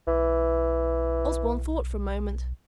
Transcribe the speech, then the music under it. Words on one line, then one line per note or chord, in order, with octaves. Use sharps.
Osborne thought for a moment.
B1 E3